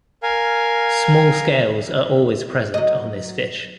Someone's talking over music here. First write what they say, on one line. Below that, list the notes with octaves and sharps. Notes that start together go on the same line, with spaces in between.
Small scales are always present on this fish.
A#4 F5 G#5
F#3 D#5